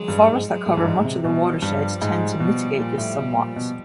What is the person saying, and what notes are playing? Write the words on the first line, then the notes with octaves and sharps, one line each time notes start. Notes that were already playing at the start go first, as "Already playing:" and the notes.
The forests that cover much of the watershed tend to mitigate this somewhat.
Already playing: F#3 G#3
G2
G#2
F#3 G#3
A2
G2
G#2
C3
B2 F3 G3
G2
G#2
B2
A#2
A2
B2
A#2
B2